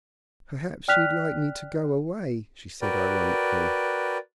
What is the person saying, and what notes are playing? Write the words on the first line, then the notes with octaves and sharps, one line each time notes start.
"Perhaps you'd like me to go away," she said ironically.
D5 G5 F6 F#6 B6 F7
F#4 A#4 B4 D5 G5